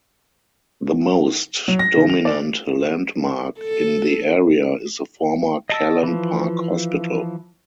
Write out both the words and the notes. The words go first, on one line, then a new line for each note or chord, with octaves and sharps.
The most dominant landmark in the area is the former Callan Park hospital.
F#3
A#6
D#3
F7
D5
A4
D#5 A5 E6
E3 F3